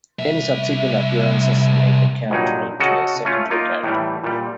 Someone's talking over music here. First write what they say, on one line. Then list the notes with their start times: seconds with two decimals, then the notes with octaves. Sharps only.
Any subsequent appearances make the character into a secondary character.
0.19 C2 E5
2.30 G2 A#2 F#3 D#4
2.80 C#3 F#4 A4 D#5
3.25 A3 C#4 F4
3.50 A#3 D#4 F4
3.84 A2 E3 G3
4.24 A#2 G3